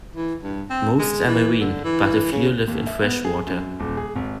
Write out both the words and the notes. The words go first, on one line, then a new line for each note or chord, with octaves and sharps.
Most are marine, but a few live in fresh water.
E3
G2
C4
G#3
E3
D3
E3
C#3
D#2
E5
B3
G#4
F#2
D#1
G#4
G#1